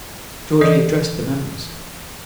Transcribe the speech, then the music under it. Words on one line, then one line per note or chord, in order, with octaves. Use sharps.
Georgie addressed the members.
E3 A4 D#5